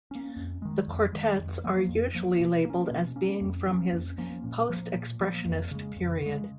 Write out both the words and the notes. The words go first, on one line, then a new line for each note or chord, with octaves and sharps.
The quartets are usually labeled as being from his "Post-Expressionist" period.
A#3 C#4
F2
D#3 G#3
F2
D#3 G#3
F2
F3 A#3
F2
F3 A#3
B2
A#3
C#4
B2
A#3 C#4
F2
F3 A#3 C#4
F2
F3 A#3 C#4
A#2
F3 A#3
A#2
F3 A#3
F2
C#3 G#3
F2
C#3 G#3